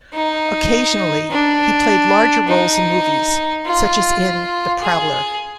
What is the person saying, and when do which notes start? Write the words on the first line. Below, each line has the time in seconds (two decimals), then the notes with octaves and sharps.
Occasionally he played larger roles in movies, such as in "The Prowler".
0.13 D#4
1.31 D4
2.48 D#4
3.66 F4
4.83 G#4